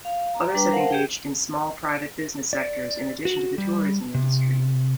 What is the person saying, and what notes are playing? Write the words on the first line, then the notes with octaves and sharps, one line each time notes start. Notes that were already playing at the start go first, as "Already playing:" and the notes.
Others have engaged in small private business sectors, in addition to the tourism industry.
F5
A#5
G3 D4 B4 G5 A#5
A#4 C5 F5 F#5 A5
G4 G#4 G5
D5
F#4
G3
C3